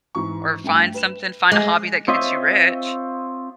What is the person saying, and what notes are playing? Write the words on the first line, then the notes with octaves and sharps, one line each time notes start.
or find something find a hobby that gets you rich.
G#2 E3 C#6
G2 A3 G5
B4 E7
G#3 G#5 D6 F#6
C4 F4 C#5 D#5 E5